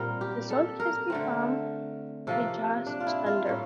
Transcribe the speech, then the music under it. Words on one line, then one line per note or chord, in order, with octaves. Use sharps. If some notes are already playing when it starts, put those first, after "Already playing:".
The song has become a jazz standard.
Already playing: A#2 G3 C4 A#4
G4
A4
A#4
D3 A3 C4
C3 F3 A#3 A4
D4
F4
E4
F4
A2 G3 A#3